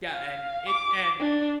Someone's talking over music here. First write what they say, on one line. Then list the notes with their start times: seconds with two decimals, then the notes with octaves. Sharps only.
Yeah, and it and
0.13 F5
0.69 D6
1.19 D4